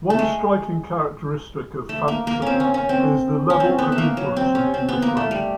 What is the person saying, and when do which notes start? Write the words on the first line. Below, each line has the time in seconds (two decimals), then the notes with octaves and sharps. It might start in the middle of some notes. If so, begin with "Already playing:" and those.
One striking characteristic of Fantse is the level of influence from the English language.
0.10 A3
0.19 G#3
1.89 A3
2.08 A#3
2.27 A#3
2.42 C4 C#4
2.60 C#4
2.74 C#4
2.89 C4
3.50 C#4
3.60 C4
3.79 B3
3.92 A3
3.98 A#3
4.17 F#3
4.37 C4
4.55 C#4
4.74 C4
4.89 B3
5.02 A#3
5.17 A3
5.31 G3